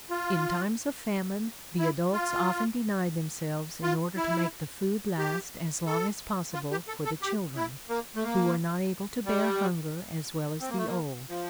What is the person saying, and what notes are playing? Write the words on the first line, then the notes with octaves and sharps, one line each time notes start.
In times of famine, the adults often denied themselves in order to make the food last as long as possible for the children, who were not able to bear hunger as well as the old.
F4
E4
F4
F4
E4
G4
A4
F4
G4
A4
A4
G4
E4
A#3
A3
A#3
G3
C4
A#3
A3
A#3
F3